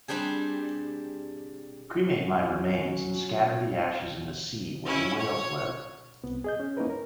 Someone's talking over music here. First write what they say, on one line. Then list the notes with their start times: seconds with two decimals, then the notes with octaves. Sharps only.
Cremate my remains and scatter the ashes in the sea where the whales live.
0.08 G3 C4 D4 G4 G#4
2.06 F#3 C#4
4.86 C#4 E4
5.18 C#5
6.24 C2 B3 C4
6.44 G#4 D#5 G6
6.60 C#4
6.77 A#3 C#4 D#4 E4 A#4 B4
6.90 A#4